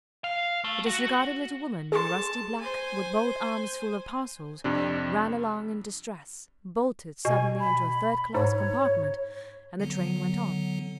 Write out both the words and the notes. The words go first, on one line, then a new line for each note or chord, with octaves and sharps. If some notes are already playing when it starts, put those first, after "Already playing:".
A disregarded little woman in rusty black, with both arms full of parcels, ran along in distress, bolted suddenly into a third-class compartment and the train went on.
F5
A3
F#4
G#4 A5 C6
C5 G#5
F2 C3 D4
B2 G#5
B5
G#2 C#5
D3 F#3 B3